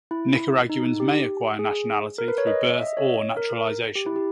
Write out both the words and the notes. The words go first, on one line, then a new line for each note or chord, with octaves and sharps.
Nicaraguans may acquire nationality through birth or naturalization.
E4
D#4
D#4
G4
G#4
A#4
B4
C#5
D#5
D#5
E5
D#5
C#5
A#4
G4
E4
G4